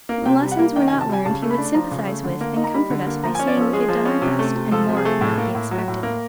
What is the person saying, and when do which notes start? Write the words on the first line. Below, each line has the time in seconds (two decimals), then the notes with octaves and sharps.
When lessons were not learned he would sympathize with and comfort us by saying we had done our best and more could not be expected.
0.09 A#3
0.26 C3 G5
0.42 G3
0.51 F#5
0.59 A#3
0.76 D#3 G5
0.88 G#5
0.93 C3
1.01 A5
1.09 G3 G#5
1.25 C#3 A5
1.42 A3
1.50 B5
1.58 D4
1.74 F3 A#5
1.91 C#3
2.08 A3
2.24 D3
2.41 A#3
2.57 D#4
2.64 A#5
2.74 G3 B5
2.90 D3
3.07 A#3
3.24 F3 A#5
3.35 G#5
3.39 C#4
3.47 D5
3.57 F3 A4
3.73 G#3 G#4
3.89 F3
4.05 C#4
4.22 C3
4.39 A3
4.55 C3
4.72 F3 A4
4.89 C3
4.97 G#4
5.05 A3
5.21 A2
5.38 A#3
5.55 A2
5.71 F#3
5.88 A2
6.03 A#3